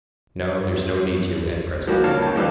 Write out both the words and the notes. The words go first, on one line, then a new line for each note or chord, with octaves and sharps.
"No, there's no need to, at present."
F3 G3 A#3 F#4
C#2 D#3 A#3 C#5 F5 A5
D#2 A5
F3 G3 D#4 A4 B4 F5